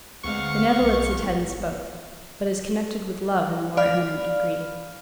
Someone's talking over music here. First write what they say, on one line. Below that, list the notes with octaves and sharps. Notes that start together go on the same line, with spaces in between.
Benevolence attends both; but is connected with love in a more eminent degree.
D2 G#3 C4 B4 F5 F#5 C#6
B1
G#1 E2 F#3 A3
D5 F5 B5 F6